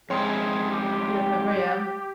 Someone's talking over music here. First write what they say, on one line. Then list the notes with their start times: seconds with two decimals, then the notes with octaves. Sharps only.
You don't remember, yeah?
0.10 F2 G#2 E4 G#4 C#5 G5 C6
0.70 G4